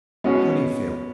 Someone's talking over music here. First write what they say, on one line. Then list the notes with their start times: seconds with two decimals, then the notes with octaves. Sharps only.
"How do you feel?"
0.24 B2 G#3 B3 C#4 F#4
0.35 B3